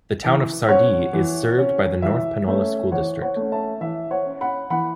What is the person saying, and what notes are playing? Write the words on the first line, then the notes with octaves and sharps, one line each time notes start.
The Town of Sardis is served by the North Panola School District.
E3
C#4 C#5 F#5
E3
C#4
E3 E5
A3 C#4 E5
E3 C#5 F#5
C#5 F#5
A3 C#4
E5 A5
E3 E5
C#5 F#5
C#4
F#5 B5
E3 F#5 B5